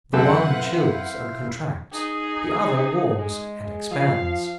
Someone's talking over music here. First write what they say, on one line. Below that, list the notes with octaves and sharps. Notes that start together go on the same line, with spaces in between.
The one chills and contracts, the other warms and expands.
F#2 C4 E4 A4 B4 C5 F5 F#5
D#4 G#4
G#3
F3 F5